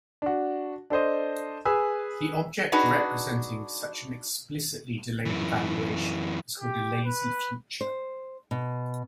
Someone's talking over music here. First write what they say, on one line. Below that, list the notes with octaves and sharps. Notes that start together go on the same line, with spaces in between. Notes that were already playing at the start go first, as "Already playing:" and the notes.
The object representing such an explicitly delayed evaluation is called a lazy future.
D4 F#4
D4 A4 C5 D#5
G#4 B4 G#5 E6
D4 D#4 F#4 G#4 B4
F#2 E3
G4
B4
C5
B2